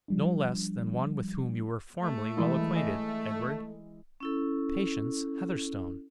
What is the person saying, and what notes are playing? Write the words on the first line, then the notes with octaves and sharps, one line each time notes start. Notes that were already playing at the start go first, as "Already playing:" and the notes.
"No less than one with whom you were formerly well acquainted, Edward--Patience Heatherstone."
F3 G3 D4
A3
E3 G#3 E4
D#5 G#5
C#4 E4 A4